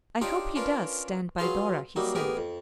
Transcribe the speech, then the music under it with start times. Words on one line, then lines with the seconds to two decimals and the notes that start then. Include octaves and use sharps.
"I hope he does stand by Dora," he said.
0.21 D4 D#4 F4 G4 C#5 D5
0.55 C#4 D4 F4 A#4 B4
1.38 F#3 F4 G#4 B4 F5 C6
1.96 F#3 G3 A#3 D#4
2.15 A1 B3 G4 G#4 A#4 G#5
2.37 F2